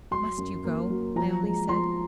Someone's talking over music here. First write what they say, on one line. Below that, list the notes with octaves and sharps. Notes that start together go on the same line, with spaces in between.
"Must you go?" I only said.
F#3 C6
F#2
A#3
F#3
F3 A#5
G#3
F3 C6